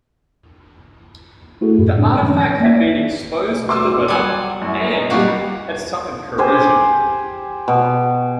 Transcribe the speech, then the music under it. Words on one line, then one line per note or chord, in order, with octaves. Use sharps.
The artifact had been exposed to the weather and had suffered corrosion.
A3 E4 F#4 G#4 A4
F#2 A2
A2 C#3 G#3 C4 D4
D#3 F3 G#3 C#4
A#6
A#3 D5 E5 B6
D2 B2
C6 D6 E6
F#3 G3 F#5 G#5
F#2 E4 F#4
D#4
A#2 G3 A#3 F#4 G4
G4 C5 G#5
B2